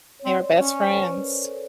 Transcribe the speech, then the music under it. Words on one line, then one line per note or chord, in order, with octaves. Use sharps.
They were best friends.
C#5
C4 D5
D5
C#4 C#5
C5
B4
A#4
A4